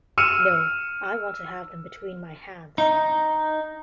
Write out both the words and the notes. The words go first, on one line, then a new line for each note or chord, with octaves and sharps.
No; I want to have them between my hands.
E6 F6 C#7 D#7 E7
D#4